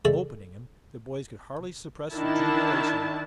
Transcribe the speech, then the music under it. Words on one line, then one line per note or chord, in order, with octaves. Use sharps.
Opening them, the boys could hardly suppress their jubilation.
G#3 A3 D5 E5
D#3 D4 E4 A5